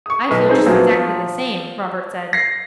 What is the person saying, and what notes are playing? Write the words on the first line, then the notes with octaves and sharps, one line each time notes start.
'I feel just exactly the same,' Robert said.
C#6 D#6
B1 B3
C4 D#4 G#4 C5
A#2 F3 F#3 A3 B3 D4
F3
A#6 C7